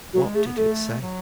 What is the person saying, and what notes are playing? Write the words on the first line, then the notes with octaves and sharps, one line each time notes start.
What did it say?
F#3 F#4
G#3
A3 G#4
B3
A3 A4
F#3